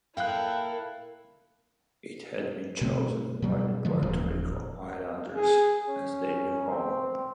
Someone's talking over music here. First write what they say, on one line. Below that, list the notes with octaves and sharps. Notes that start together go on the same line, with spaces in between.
It had been chosen by the Puerto Rico Islanders as their new home.
A#2 E4 F4 A4 A#4 F5 G5 F#6
B2 A3 C4
B2 F#3 G3
D3 F3 G#3
D#1 A1 A#2 F3
G#4
C#4
C4